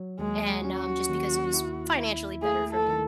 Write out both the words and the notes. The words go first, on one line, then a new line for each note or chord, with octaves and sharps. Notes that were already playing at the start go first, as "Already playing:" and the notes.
and, um, just because it was financially better for me,
Already playing: F#3
D#2 G#3
C#4 F#4
D#2
E4
E4
A3 G#4
A4
D#3